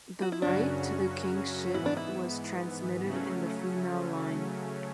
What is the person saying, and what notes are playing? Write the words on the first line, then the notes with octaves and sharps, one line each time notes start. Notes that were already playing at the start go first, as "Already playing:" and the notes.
The right to the kingship was transmitted in the female line.
F#4
E4
F#2 C#3 F#3 C#4 D4 F#4
G#2 E3 B3 E4
D4
E4
C#3 F#3 A3 C#4